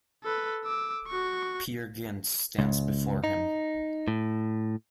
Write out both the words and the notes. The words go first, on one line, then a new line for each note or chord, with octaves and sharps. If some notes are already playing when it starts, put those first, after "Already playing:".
Peer Gynt stands before him.
A4 B4
D6 E6
F#4 C#6
C#2
D#4
A2